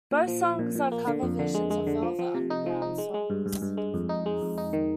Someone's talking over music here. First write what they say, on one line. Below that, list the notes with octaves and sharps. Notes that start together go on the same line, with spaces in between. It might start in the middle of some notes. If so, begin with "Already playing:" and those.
Both songs are cover versions of Velvet Underground songs.
A#2
F3
F3
A#2
A#2
A#3
D3
F2
D3
G#3
G#3
D3
F3
F3
C3
D#4
F3
D#4
G#3
G#3
G2
G2
G2
G#3
F2
D#4
G#3
F2
D#4
D#3